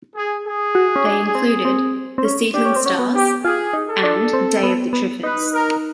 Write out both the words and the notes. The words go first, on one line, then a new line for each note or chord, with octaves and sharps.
They included "The Seedling Stars" and "Day of the Triffids".
G#4
G#4
F#4
C#4
D4
C4
C4
C4
C#4
D4 G4
C#4
C4
C#4 F#4
B3
G4
F4 G#4
D#4
A4
D4
C4
B3
B3
D#4 B4
A#4